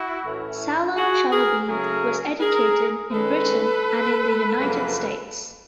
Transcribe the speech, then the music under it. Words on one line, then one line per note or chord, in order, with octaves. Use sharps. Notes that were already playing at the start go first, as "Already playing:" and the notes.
Salem Chalabi was educated in Britain and in the United States.
Already playing: E4 F#4
A2 E3 A3 C#4
F#4 G#4
G#4 A#4
C#3 F#3 A3 C#4 G#4 A#4
G#4 A#4
D#3 G#3 C#4 A4 B4
F#2 C#3 F3 A#3